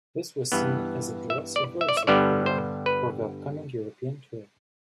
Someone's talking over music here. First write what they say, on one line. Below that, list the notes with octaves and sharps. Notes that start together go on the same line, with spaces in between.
This was seen as a dress rehearsal for the upcoming European tour.
G2 E3 B3
E5
D5
E5
D5
E5
G2 D3 G3 B3 D5
C5
B4